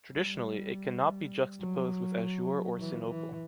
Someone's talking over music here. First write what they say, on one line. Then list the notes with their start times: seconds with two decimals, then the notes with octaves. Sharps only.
Traditionally, it can not be juxtaposed with azure or sinople.
0.11 G3
1.60 F#3
2.79 E3
3.09 E3